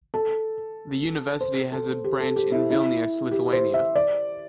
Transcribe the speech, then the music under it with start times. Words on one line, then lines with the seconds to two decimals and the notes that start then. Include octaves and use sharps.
The University has a branch in Vilnius, Lithuania.
0.14 A4
1.41 C5
1.72 A4
2.04 G4
2.20 A4
2.36 G4
2.52 E4
2.70 E4
3.31 G4
3.53 C5
3.74 E5
3.96 D5